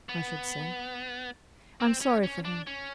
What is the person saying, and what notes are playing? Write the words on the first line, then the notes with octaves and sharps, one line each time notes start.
I should say. I am sorry for him.
B3
C4
C#4
C#4
D4
C#4